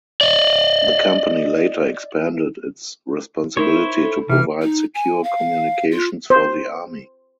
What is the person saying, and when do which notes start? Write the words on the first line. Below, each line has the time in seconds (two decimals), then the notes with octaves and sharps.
The company later expanded its responsibility to provide secure communications for the army.
0.21 D5 D#5
3.57 D#4 E4 A#4 C5 C#5
4.02 A4
4.30 C3 E3 F6
4.62 D#4
4.95 G#5
5.24 F5
5.91 F4
6.30 C5